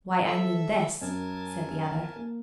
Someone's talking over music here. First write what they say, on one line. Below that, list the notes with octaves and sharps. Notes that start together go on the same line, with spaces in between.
"Why, I mean this," said the other.
A4 E5 E6
F#2 A#4 G#5 A5
A#3